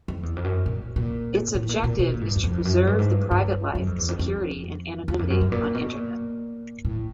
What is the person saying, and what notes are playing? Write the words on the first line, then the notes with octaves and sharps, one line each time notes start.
Its objective is to preserve the private life, security and anonymity on Internet.
F2
E2
F2
F#2
A#2
A#2
A2
A#2
A#2
B2
A#2
G#2
G2
F#2
F2
F#2
G2
G#2
G2
G2
F#2
F2
E2
F2
F2
E2
F2
F#2
G2
A#2
B2
A#2
A2